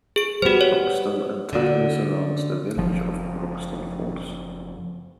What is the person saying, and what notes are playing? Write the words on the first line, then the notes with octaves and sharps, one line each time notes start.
Roxton entirely surrounds the village of Roxton Falls.
G#4 D7
G3 B3 F#4 C5
C#5
D3 D4 F#4
F#1 F3